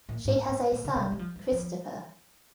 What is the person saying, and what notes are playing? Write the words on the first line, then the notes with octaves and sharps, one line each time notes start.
She has a son, Christopher.
A#2
G#2
G#2
A#2
C#3
C3
G3
F3
G3
F3